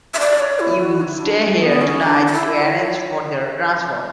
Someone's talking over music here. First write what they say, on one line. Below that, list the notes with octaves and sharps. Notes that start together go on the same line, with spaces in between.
You will stay here tonight to arrange for their transfer?
E5
D5
C#5
E4
F#4
E4
D4
C#4
B3
C#4
D4
D4
E4
C#5